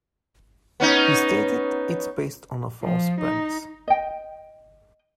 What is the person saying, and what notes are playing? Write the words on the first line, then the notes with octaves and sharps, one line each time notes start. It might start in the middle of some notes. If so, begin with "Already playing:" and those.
He stated, It's based on a false premise...
B3 C#4 D#4
F3
D#4
D#5 G5